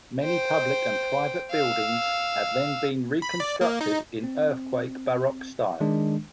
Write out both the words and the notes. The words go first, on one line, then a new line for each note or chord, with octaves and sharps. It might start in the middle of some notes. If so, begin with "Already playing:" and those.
Many public and private buildings have then been reconstructed in earthquake Baroque style.
C5 G5
F5 E6
B5
D5
A#3
D#4
C4
D#3 G#3 D4